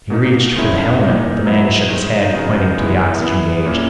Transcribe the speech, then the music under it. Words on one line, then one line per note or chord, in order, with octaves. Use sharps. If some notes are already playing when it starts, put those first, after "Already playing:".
He reached for the helmet, but the man shook his head, pointing to the oxygen gauge.
B2 A#3 D#4
D#3 G#3 C#4 E4
A#2 A#3 D#4
F#3 B3 E4
D#3 G#3 D#4
C#3 F#3 B3 D#4
E3 G#3 B3 E4
E3 B3 E4
A#2 A#3 C#4 E4